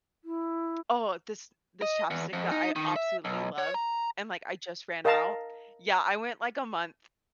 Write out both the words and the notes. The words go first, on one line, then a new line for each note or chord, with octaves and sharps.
oh, this this ChapStick that I absolutely love, and like, I just ran out yeah, I went, like, a month
E4
D#5
E2
F2
D#4
D#3
E5
B1
C#5
A#5
A#4 D#5 F5 A5 A#5